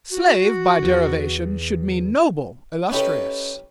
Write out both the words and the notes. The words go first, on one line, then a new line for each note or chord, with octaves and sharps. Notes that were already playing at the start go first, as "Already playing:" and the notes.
Slave by derivation should mean noble, illustrious.
F#4
E2
C#4 D#4 E4 G4 A4 B4